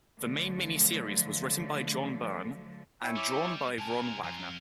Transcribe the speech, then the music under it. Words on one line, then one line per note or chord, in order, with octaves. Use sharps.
The main mini-series was written by John Byrne and drawn by Ron Wagner.
D3 F3 F#3 A3
E4 C#5 G5 G#5
G3 D6
C3 A#4 G#5 A5
A#5
F2 F4